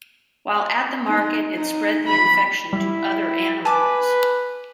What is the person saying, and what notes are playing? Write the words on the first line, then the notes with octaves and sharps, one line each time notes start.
While at the market it spread the infection to other animals.
D#4
D#4
B5
G3 E4
B4 G#5 A5 D6